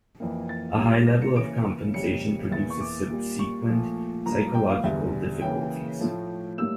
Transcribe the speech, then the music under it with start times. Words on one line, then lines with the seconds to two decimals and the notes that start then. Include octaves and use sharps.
A high level of compensation produces subsequent psychological difficulties.
0.20 F2 E3 A#3
0.49 A6
0.78 A2 G3 A#3
1.07 A#6
1.22 C#7
1.36 C#3 E3 A#3 D7
1.94 F2 C#3 G3 A#3 C#7
2.51 E2 E3 A#3 A6
2.70 C#6
2.81 D6
3.10 A#2 G3 A#3
3.39 C#6
3.68 A#2 F3 A3
4.26 G2 F3 A#3 A#5
4.54 G5
4.70 F5
4.84 E2 D3 G3 E5
5.41 C#3 E3 A#3 G5
6.00 A2 F3 A3
6.58 A2 G3 A#3 E6